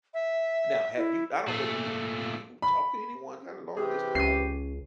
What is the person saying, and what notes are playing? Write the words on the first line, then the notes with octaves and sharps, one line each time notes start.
Now have you I don't know. Do you do you talk to anyone kinda long distance?
E5
E4
A#2 A3
B5
C3 E3 G4 G#4
C#2 C#4 C7 D#7